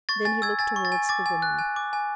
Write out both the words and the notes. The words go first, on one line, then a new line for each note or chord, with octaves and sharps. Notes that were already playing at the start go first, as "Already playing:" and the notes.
Then he looked towards the woman.
C#6 A6
G#5 A6
E6 G#6
G#5 A6
C#6
A6
G#5
D6 A6
G#5
F#6
G#5
D6
G#5